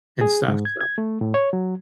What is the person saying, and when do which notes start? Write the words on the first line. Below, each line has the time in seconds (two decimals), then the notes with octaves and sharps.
and stuff, so
0.21 G#4
0.48 G#2
0.65 G#6
0.81 G#6
0.98 A3
1.21 A2
1.34 C#5
1.53 F#3